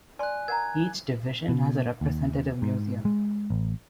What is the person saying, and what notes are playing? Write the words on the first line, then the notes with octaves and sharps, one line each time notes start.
Each division has a representative museum.
D5 G#5 C6 F#6
A#4 F#5 A#5 G#6
B2
D#2
G#2
G#3
A1